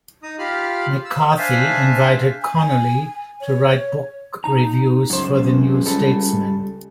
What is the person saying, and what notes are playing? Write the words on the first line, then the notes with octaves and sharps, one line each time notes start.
MacCarthy invited Connolly to write book reviews for the "New Statesman".
D#4 A#5 D#6
F4 G4 F5 B5 F6
E6
D4 C5 E5 F5 G#5 A5
G#5
C#5
D#4 A#5
C#2 F#2 C5
G3 A4